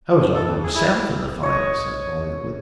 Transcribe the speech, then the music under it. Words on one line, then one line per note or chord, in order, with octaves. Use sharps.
"I was up there myself at the fire," he said volubly.
A2
A4
F2
G#4
E4
C#5 D#5